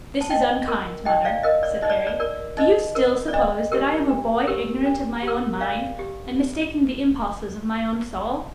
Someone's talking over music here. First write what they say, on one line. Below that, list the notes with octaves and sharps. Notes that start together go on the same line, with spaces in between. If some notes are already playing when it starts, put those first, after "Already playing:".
'This is unkind, mother,' said Harry. 'Do you still suppose that I am a boy ignorant of my own mind, and mistaking the impulses of my own soul?'
A5
D#4 D#5 G5
A#4
D#4 D#5 G5
D5 F5
A#4 D#5
D5
D#4 D#5
D5
D5
A#4 D5
D#4 D#5
A#4
D5
D4 D#5
G4 A#4
D4
G4 A#4
D4
G4 A#4
D4 D5 F5
G4